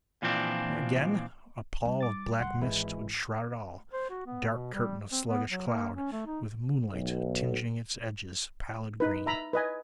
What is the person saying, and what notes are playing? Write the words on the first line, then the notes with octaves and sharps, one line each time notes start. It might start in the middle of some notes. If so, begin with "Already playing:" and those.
Or again, a pall of black mist would shroud it all, dark curtain of sluggish cloud with moonlight tinging its edges pallid green.
A#2 E3 F3 C4 D4
G3 D#4
D6 A6
F1 G3 F#5 C6
G#1 E3 G#3 E4
C5
F#4
B3
B2
G3
C4
B3
F#3
A#3
C#4
A3
D#4
B1
D#4 B4
E5 A#5 B5
B4 D#5 G#5